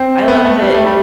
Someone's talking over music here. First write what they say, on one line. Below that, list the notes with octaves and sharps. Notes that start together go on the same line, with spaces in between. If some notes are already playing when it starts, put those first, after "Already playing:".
I love that e
Already playing: C4
B3
A3
G3
A3
G3